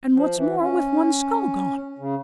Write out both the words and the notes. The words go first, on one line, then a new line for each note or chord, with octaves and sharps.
And what's more,--with one scull gone.
F3
E3
C#4
C#3